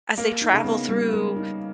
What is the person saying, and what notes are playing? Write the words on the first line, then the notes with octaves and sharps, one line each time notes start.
as they travel through
A#3 A#4
D#4
C#3
B3
G3
A#4
D#4